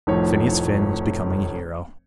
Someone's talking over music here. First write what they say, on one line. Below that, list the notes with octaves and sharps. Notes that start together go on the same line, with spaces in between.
Phineas Finn was becoming a hero.
F1 A2 D#3 F3 C#5